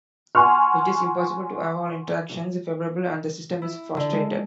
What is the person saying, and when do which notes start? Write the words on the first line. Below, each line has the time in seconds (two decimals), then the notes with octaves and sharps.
It is impossible to have all interactions favourable, and the system is frustrated.
0.35 F#5 G#5 C6 C#6 F6
3.62 E4
3.97 D3
4.12 G#3